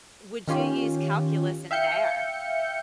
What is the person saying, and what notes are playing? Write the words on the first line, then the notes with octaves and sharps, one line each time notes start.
would you use calculus in there?
D#3 C#4 F4 G4
E5 F5 G5 G6 C#7